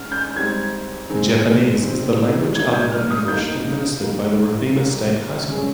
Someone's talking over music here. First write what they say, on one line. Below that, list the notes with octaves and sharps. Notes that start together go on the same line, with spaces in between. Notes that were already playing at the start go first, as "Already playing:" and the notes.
Japanese is the Language Other Than English administered at Robina State High School.
Already playing: G#2 C#4 F6
G6
G#2 G3 C4 G#6
D#3 G#3 C4 D#4
D#3 G3 C4
C3 G3 A#3 D#4 G#6
G6
F6
D#6
D#3 G3 A#3 D#4 G6
D#3 G3 A#3 D#4
A#2 G3 A#3
C#3 G#3 C#4